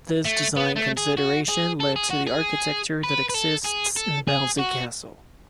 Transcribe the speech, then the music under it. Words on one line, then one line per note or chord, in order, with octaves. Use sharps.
This design consideration led to the architecture that exists in Bouncy Castle.
A3
B3
A3
G#4
F#4
G#4
A4
G#4
F#4
G#4
B4
B4
A4
G#4
A4
G#4
F#4